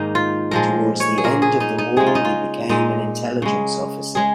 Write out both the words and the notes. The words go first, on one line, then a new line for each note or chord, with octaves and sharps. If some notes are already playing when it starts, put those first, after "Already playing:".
Towards the end of the war he became an intelligence officer.
Already playing: G#2 D#3 A#3 D#4
F4
A#2 F3 G#3 A#4
C#5
G#4
A#2 A#3 A#4
G#4
D#4
D#4
C#3 G#3 G#4
F4
D#4
F4
A#2 G#3 D#4
C#3 G#3
G#3 G#4